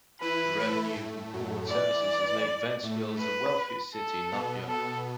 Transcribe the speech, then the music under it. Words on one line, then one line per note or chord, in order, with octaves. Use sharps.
The revenue from port services has made Ventspils the wealthiest city in Latvia.
E3 E4 B4
A3 A4
A2 A3
F#2 F#3
E3 D5
A2 A3
B4
A4
B2 B3
A4